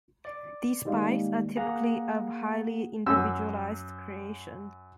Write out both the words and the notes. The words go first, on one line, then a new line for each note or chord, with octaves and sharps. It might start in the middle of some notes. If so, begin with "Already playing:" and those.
These bikes are typically a highly individualized creation.
D5
D#3 G3 G#3 A#3
A#3 G#4 F#5 A#5
F#2 E6